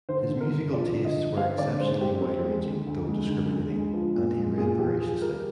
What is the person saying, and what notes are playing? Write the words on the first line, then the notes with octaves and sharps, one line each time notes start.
His musical tastes were exceptionally wide-ranging, though discriminating, and he read voraciously.
D3 C5
D3
A#4
G2
F3 D5
D3
D#5
G2
C4 F5
D3 D5
G#3 C5
C4 G4
C4
G#3
D2
D2
G#3
D3
D2
G#3
F3
A#2
G#3
A#2 G#4
F3 G4
F3 G#4
G3 A#4